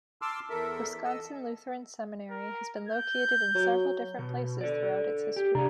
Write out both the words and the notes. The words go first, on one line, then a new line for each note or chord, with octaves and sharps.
Wisconsin Lutheran Seminary has been located in several different places throughout its history.
A5 C6 D6 E6 F6
E2 A4 A#4 E5
A4 D#5 E6
A#4
G6
F#3
B2
A4 D5
G4
C3 D4 G4 G#4 A#5